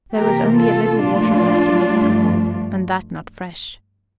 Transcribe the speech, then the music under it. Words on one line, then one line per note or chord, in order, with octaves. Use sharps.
There was only a little water left in the water-hole, and that not fresh.
C3 E3 A#3 G4 A#4
F4 A4
A#2 F3 A3 D4 F4
G2 F3 A3